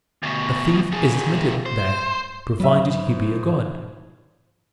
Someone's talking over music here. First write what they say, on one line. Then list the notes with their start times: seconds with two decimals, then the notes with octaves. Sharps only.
A thief is admitted there, provided he be a god.
0.23 D2 B2
0.92 B2 G#4
1.66 C5
2.60 G#2 F#3 B4 E5